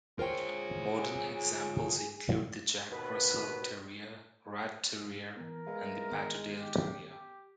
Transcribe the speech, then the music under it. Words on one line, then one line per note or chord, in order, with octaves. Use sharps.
Modern examples include the Jack Russell Terrier, Rat Terrier and the Patterdale Terrier.
F4 G#4 A#4 C5 C#5 G5
D#2 B2 B4
E3 B3 A#4
G#3 B4 E5 F5
D#3 B3
G4
G4